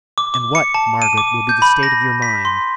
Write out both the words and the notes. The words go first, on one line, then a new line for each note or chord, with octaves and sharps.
And what, Margaret, will be the state of your mind?
D6
D6
C#7
A5
D#7
D6
G6
B5
A#6
B6
C6